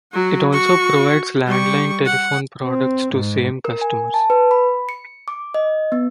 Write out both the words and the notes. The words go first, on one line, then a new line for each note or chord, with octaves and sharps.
It also provides landline telephone products to the same customers.
F#3 F#4
F#4 C#6
G3 C#6
F#5
C4
G#2
A#4
G#5
A5
B4
B5
C#7
D6
D#5
B3